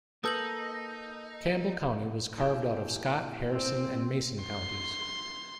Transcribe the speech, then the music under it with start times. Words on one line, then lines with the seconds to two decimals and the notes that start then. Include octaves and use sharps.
Campbell County was carved out of Scott, Harrison and Mason counties.
0.24 A#3 D#4 A4 B4 D#6 E6 G6 F#7
2.38 A#2 E4 G4
3.52 C4
4.41 C6